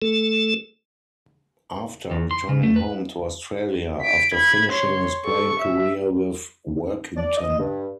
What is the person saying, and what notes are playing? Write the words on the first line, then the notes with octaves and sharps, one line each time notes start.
After returning home to Australia after finishing his playing career with Workington.
A3 A4
E2
C6
C#3
A3
B4
B6 D7
B5 G#6
C#5 C6
A4 C#6
E5
D5
D#5
G2